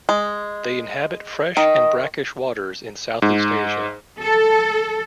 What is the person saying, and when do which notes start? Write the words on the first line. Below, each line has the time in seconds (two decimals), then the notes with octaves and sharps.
They inhabit fresh and brackish waters in Southeast Asia.
0.09 G#3
1.57 D#3 D#5
3.22 G#2
4.20 A4